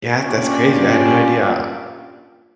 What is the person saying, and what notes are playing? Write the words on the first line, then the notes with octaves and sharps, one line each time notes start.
yeah, th that's crazy, I had no idea
A#3 C#4 D4 F4 G4 D5